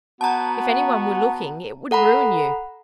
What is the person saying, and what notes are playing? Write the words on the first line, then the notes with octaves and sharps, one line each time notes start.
If any one were looking, it would ruin you.
B3 F#4 A5 A#5
A4 F#5 A#5 B5